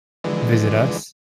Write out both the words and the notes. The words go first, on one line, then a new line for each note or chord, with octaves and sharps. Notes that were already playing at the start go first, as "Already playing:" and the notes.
visit us.
D3 E3 F3 G#3 B4 D5